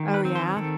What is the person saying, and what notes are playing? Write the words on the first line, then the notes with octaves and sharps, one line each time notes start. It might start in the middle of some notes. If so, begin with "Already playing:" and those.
Oh, yeah?
Already playing: D#3
B4
C4
C5
D#3 A4